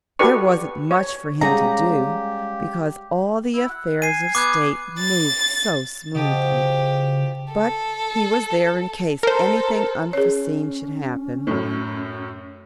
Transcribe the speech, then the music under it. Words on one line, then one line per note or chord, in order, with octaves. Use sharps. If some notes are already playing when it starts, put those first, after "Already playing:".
There wasn't much for him to do, because all the affairs of state moved so smoothly, but he was there in case anything unforeseen should happen.
F#4 G4 A4 B4 D5 C#6
C#5
G3 G#3 C#4 G4 G#4 F5 F#5 A#5
E4
F#5
G#5 C7 D#7
B3 D6 F#6 G#6
A6
C#3 F3 F#4 G4 D#5
A4
A4 A#4 C5
C#4 G#4 C#5
F#2 A2